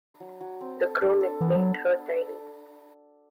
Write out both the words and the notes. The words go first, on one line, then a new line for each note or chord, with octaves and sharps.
The crew nicknamed her "Tiny".
F#3
F#3
C4
A4
D4
A4
E3 B3
F#3
B3